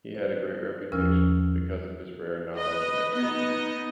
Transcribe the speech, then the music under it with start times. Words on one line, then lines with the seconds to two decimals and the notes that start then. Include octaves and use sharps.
He had a great reputation, because of his rare knowledge and expertise.
0.15 C5
0.92 E2 F3 C#4 A#4 E6 F6
2.57 B4 D#5
3.14 B3 D#4 D#5